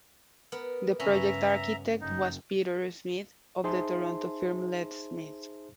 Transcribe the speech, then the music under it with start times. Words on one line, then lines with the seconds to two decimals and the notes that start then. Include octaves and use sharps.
The project architect was Peter Smith, of the Toronto firm Lett-Smith.
0.52 B3 A#4
1.00 G2 C#3 B3 C#4 E5 A#5
2.01 F#1 D#4
3.64 D#4 G#4 C5 E5 A5 C6